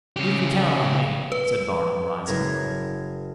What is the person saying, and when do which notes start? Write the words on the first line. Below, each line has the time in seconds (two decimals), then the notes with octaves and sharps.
"You can count on me," said Barnum, rising.
0.16 C#3 G4
1.32 B4
2.27 F#1 A#4 G#6